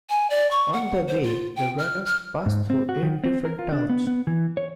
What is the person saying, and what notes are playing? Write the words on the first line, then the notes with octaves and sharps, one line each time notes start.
On their way the runners pass through eight different towns.
G#5
D5
C#6
F#5
C5
F4
G5
F6
F6
G#2
C4
F#4
D#3
C4
A#4
F4
D4
B3
B3
E3
C#5